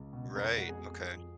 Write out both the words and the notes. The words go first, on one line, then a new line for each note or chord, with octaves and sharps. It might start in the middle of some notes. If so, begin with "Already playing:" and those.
Right. Okay.
Already playing: C#2
B2
F2 A#4 A#5
G#3 F#4 F#5
G#4 G#5
F2
F3